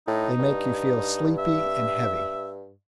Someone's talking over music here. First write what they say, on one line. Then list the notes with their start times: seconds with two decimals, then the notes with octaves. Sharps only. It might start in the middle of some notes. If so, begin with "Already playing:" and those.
They make you feel sleepy and heavy.
0.07 A2 D#4
0.39 G2
1.38 E5